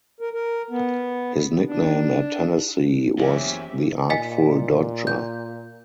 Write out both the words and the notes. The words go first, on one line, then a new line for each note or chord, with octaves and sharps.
His nickname at Tennessee was the artful dodger.
A#4
A#4
B3
D4
F#1 E2 F3 G4 A#4 C#5 E5
A#2 D#5 G#5 B6
G6